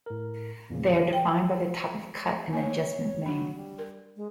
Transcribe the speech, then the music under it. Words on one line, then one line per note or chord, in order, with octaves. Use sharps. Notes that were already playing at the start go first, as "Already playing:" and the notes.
They are defined by the type of cut and adjustment made.
A2 A#4
E2 A#2 C#3 F3
G5
A#3 C#5
F#3 D4
G3
A#4
G#3